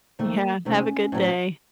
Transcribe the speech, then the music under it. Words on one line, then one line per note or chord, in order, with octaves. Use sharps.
Yeah. Have a good day.
F2 D#3 A3 A#3
C3 D#3 F#3 A3 C4 C#4
A2 F#3 C4